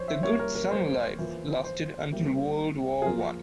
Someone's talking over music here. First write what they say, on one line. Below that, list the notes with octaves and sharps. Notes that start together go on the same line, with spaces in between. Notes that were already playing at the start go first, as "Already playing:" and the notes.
The good summer life lasted until World War One.
Already playing: F3 C5 C#5
E5
G3 A#3 E4 C#5
A#4
A#4
C5
E3 A#3 F4
C5
G3 A#3 E4
G#4
F3 A#3 F4 A#4